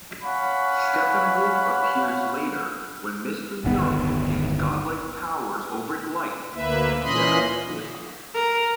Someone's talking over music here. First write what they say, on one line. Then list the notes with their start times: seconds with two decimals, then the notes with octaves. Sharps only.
Steppenwolf appears later when Mister Miracle gains godlike powers over life and death.
0.23 C#4 C#5 F5 F#5 B5
3.64 D1 G1 D#3 B3
6.54 D2 A#3 B4 E5
7.02 A#2 E3 C#4 D#5 B5 C6
8.35 A#4